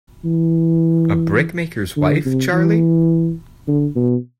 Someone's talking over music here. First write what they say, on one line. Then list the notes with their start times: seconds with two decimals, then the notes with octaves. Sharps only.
A brickmaker's wife, Charley?
0.25 E3
1.97 D3
2.25 C3
2.53 E3
3.68 D3
3.96 B2